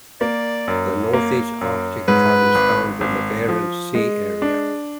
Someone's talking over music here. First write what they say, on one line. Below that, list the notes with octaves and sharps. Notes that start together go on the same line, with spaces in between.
The Northeast Arctic cod is found in the Barents Sea area.
A#3 D5
F#2
A#3
F#2
G#2 B4
G#1
G#1
F3
G#3
D4